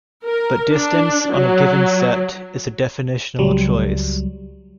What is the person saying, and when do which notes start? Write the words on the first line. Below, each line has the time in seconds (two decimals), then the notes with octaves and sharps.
But distance on a given set is a definitional choice.
0.25 A#4
0.72 D4
1.32 F#3
3.39 C#2 F#3 G3